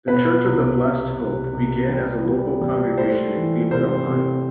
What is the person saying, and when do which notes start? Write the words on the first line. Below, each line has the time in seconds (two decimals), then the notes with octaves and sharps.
The "Church of the Blessed Hope" began as a local congregation in Cleveland, Ohio.
0.07 B2 B4
0.44 C2
0.80 C2
1.17 C2
1.53 C2
1.89 G3
2.25 G3
2.61 G3
2.98 A3 C5
3.35 E3
3.71 C3 C5
4.08 C3